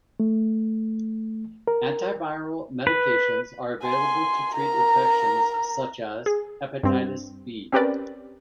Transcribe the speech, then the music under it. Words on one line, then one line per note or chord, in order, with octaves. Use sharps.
Anti-viral medications are available to treat infections such as hepatitis B.
A3
A#4
B4
G#5 C6
A#4 A#5
G#4
G2 C4
C4 C#4 G4 A#4 B4 D5